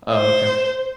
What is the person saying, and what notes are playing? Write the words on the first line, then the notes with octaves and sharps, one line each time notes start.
Oh, okay.
C5